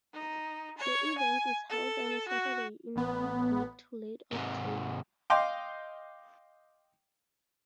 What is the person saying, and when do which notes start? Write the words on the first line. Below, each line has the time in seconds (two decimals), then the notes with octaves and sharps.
The event is held on a Saturday in mid-to-late-October.
0.13 D#4
0.78 C#5
1.18 G#5
1.70 A4
2.28 F#4
2.96 A1 B3
4.32 G#2 C3
5.30 D#5 F5 G5 C6 D6